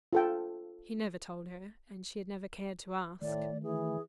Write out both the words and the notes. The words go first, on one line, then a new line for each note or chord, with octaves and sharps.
He never told her, and she had never cared to ask.
F4 A4 G5
A2 D#3 A3 D5
E3 G#4